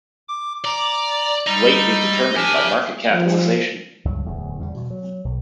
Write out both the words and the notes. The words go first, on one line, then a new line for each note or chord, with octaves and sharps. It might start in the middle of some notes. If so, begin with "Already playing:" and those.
Weight is determined by market capitalization.
D6
D5 A#5 D6
G3 D#5 A#5 E6 A6
D4 G4 A#4 F5 G#5
F3
C#2 G2 F#3
D1 E2 A2
E2 C#3 G3
B2
F#3
B1